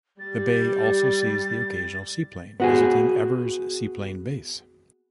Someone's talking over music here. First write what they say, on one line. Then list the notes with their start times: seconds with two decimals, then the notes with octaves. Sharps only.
The bay also sees the occasional seaplane, visiting Evers Seaplane Base.
0.19 G3 A6
2.60 B3 F#4 G#4